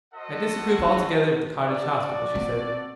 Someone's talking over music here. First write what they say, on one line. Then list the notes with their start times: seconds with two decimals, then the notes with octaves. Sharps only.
"I disapprove altogether of the cottage hospital," she said.
0.12 F#4 A4 C5 D#5 F#5
0.79 D4
0.87 D#4
1.61 F#4 A4 D5
2.35 C4